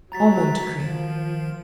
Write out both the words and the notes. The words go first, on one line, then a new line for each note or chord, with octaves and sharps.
Almond Cream.
F#3 A#5 A6 B6
D#3 F3